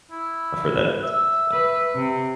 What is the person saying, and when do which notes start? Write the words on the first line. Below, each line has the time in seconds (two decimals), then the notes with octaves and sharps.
I've heard that a few times as well.
0.11 E4
1.03 E5
1.52 B4
1.95 C3